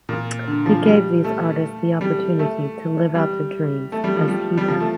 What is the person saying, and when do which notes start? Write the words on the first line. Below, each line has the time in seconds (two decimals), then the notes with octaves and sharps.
He gave these artists the opportunity to live out their dreams as he does.
0.09 A#2
0.47 D3
0.66 F3
0.86 G3
1.24 A3
2.01 G3
2.39 A3
3.15 G3
3.92 A3
4.04 G3
4.16 F3
4.28 G3
4.57 G3
4.68 F3
4.80 A3